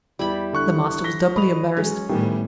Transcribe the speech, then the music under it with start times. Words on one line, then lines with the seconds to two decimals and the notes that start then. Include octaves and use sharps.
The master was doubly embarrassed.
0.19 E2 G3 E4 B5
0.53 D3 C#6 F#6
1.04 A#6 B6 G7
1.36 D#5 B5 D#6 F7
1.77 F#3 G#3 C#4 G#4
2.09 A2 D#3 E3 G3 B3 G4